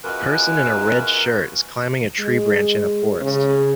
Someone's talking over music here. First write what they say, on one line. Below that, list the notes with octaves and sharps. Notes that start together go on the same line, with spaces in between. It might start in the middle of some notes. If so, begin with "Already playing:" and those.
A person in a red shirt is climbing a tree branch in a forrest.
F#2 G#3 F4 A#4 B4
G#3
C#3